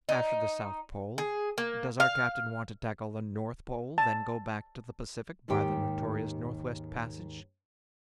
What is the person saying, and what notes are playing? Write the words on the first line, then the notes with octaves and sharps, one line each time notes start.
"After the South Pole, does our captain want to tackle the North Pole, then go back to the Pacific by the notorious Northwest Passage?"
D#4
G#4
A#3
F5
A5
D#2 G#2 D#3 G4 G5